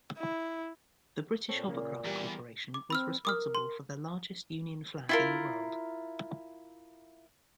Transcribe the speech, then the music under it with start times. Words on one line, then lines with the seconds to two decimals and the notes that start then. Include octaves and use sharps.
The British Hovercraft Corporation was responsible for the largest Union Flag in the world.
0.18 E4
1.49 A#2 C4 A4 C#5
1.68 A#2 C#3 A#3
2.05 E2 G3 G4 A#4
2.74 D6
2.90 C4 B5 E6 F6
3.25 A#4 D6 D#6 F6
3.55 C6
5.09 E4 F4 A#4